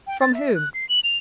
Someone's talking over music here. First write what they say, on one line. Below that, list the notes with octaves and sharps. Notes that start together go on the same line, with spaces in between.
"From whom?"
G5
A6
E5
F#6
C7
F#7
F7